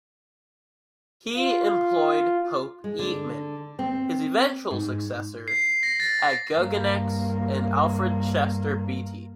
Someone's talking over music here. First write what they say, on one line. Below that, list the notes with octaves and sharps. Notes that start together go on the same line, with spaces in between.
He employed Pope Yeatman, his eventual successor at Guggenex, and Alfred Chester Beatty.
F4
G#3
D3
C4
G#2
C7
A#6
A6
G2 A#3